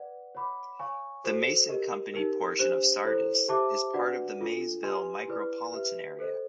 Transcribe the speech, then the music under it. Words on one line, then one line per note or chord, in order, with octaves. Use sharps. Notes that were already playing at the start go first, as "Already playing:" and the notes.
The Mason Company portion of Sardis is part of the Maysville micropolitan area.
Already playing: B4 D5 F#5
C#5 F#5 B5 D6
C#5 F5 G#5 C#6
F#4 A4 C5
G4 A#4 D#5
D#4 G4 A#4
D4 G4 C5
E4 A4 C5
G4 C5 E5 A5 D6
D4 F#4 B4 D5 F#5
D4 F4 A4
G4 B4 D#5 G#5 C6
E4 G#4 B4 D5
G4 B4 E5
A4 C5 D#5